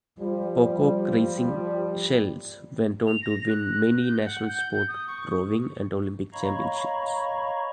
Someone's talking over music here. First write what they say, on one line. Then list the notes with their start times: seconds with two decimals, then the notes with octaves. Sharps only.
Pocock Racing Shells went on to win many national sport rowing and Olympic championships.
0.19 F3 G3
3.07 F7
3.22 A#6
3.48 F#6
4.02 G6
4.23 F#5
4.49 G6
4.88 D#6
5.08 C#6
6.33 C#5 D#5 F5 A#5 B5 C#6